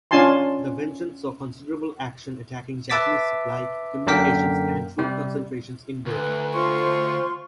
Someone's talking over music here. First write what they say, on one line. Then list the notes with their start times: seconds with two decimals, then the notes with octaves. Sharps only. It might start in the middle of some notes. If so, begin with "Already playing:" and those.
The Vengeance saw considerable action attacking Japanese supply, communications and troop concentrations in Burma.
0.11 C#4 D4 F4 G#5 A5 C6
2.90 B4 E5 A5 D6 A6 B6
4.07 F#2 D3 A#3 A#4 G5 B6
4.98 C3 G3
6.06 D2 B4
6.53 F4 C5 C6 C#6